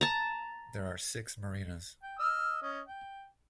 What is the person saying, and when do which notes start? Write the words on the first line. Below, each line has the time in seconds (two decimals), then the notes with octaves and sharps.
There are six marinas.
0.01 A5 A#5
2.03 G5
2.19 D#5 E6 F6
2.62 C#4 D#5
2.88 G5